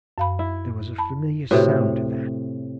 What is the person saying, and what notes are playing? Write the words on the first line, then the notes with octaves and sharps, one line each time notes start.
There was a familiar sound to that.
F#2 F5 B5
E4
A5 B5
A2 C3 F#4 B4